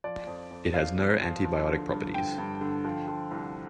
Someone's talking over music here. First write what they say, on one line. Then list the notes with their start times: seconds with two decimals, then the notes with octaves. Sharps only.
It has no antibiotic properties.
0.04 F3 D5
0.27 F2
0.51 F2
0.74 F2 F5
0.97 F2
1.21 F3
1.45 F3
1.68 D3
1.91 G2
2.14 D3 G5
2.38 G2
2.61 D3
2.85 F3
3.08 F3
3.31 C2